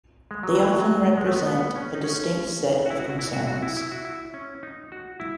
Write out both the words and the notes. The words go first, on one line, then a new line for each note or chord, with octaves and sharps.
They often represent a distinct set of concerns.
G#3
F#3
E3
F#3
G#3
A3
B3
B3
B3
C#4
D#4
C#4
F#4
E4
F#4
F#4
E4
F#4
F#4
E4
E4
F#4
E4
C#4
D#4
F#4
E4